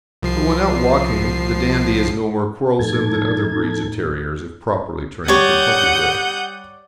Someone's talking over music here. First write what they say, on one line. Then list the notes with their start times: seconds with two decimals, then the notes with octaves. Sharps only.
But when out walking the Dandie is no more quarrelsome than other breeds of terriers, if properly trained from puppyhood.
0.23 C2 F3 C7
2.79 F2 A2 D#4 A4 G#6
5.28 G3 C#5 D5 F#5 D#6 G6